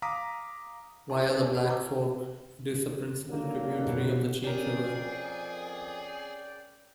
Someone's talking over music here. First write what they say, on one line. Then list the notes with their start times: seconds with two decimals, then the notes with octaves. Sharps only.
Via the Black Fork, it is a principal tributary of the Cheat River.
0.02 F5 A#5 D6 D#6 B6
1.10 E4 G4 A#4 D#5 A5 C6
1.28 D#4 B4 C5 D5
1.40 D5 G#5 A5
1.54 F#4 G4 B4 C#5 D#5
1.68 A5 A#5 C#6 D6 E6
1.80 F4
3.29 D3 D#3 F#3 A#3
3.87 B2
4.44 F2 C#4 G#4 A#4 D5 G5